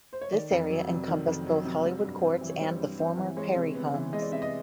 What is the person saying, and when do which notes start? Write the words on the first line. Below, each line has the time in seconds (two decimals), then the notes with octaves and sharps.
This area encompassed both Hollywood Courts and the former Perry Homes.
0.13 C5
0.21 C#5
0.32 D#3 D5
0.51 F2
0.70 F#3
0.89 C3
1.08 D#3
1.27 F2
1.46 F#3
1.65 C3
1.84 G3
2.03 G2
2.22 C4
2.41 E3
2.50 C#5
2.60 G3 C5
2.80 G2
2.99 C4
3.17 E3
3.37 G#3 C#5
3.56 C3
3.75 B3
3.94 E3
4.13 G#3 D#5
4.22 D5
4.32 C3 E5
4.42 D#5